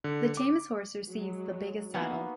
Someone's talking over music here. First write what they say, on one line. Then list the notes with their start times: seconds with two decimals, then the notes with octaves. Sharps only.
The tamest horse receives the biggest saddle.
0.04 D3
0.37 D6
1.07 F#3 G#3
1.94 A#3 B3 D#4 F#4